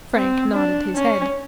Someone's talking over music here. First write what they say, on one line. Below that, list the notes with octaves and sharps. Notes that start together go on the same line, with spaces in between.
Frank nodded his head.
C4
D4
C#4